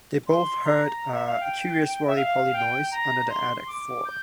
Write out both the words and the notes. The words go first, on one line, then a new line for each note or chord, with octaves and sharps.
They both heard a curious roly-poly noise under the attic floor.
C6
A#5
E5
F5
G5
E5
F5
G5
A#5
C6
D6
G6